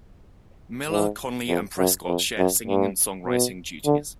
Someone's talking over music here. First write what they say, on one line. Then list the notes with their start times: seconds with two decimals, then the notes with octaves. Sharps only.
Miller, Conley and Prescott share singing and songwriting duties.
0.90 G#2
1.49 F2
1.78 F#2
2.07 F2
2.38 F#2
2.68 G2
3.27 B2
3.86 D3